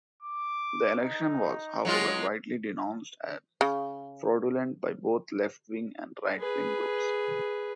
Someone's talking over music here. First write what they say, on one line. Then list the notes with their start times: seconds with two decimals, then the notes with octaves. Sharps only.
The election was, however, widely denounced as fraudulent by both left-wing and right-wing groups.
0.23 D6
0.97 D#4
1.85 F#3 G#3 F4
3.61 C#3
6.38 G#4 B4